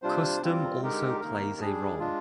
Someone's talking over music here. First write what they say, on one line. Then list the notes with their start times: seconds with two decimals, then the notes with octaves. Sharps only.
Custom also plays a role.
0.02 C3 G3 D4 F4 C5
0.42 G3 C4 F4
0.82 D3 G#3 D#4 G4 A#4
1.20 C3 D#3 A#3 D#4 A#4
1.60 G3 D4 G#4
1.99 G#3 D4 F4